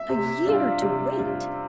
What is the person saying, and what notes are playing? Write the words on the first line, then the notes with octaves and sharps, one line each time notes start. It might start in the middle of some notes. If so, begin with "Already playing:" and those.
A year to wait!
Already playing: E5
C3
G3 D4 F4
C3
G3 D4 F4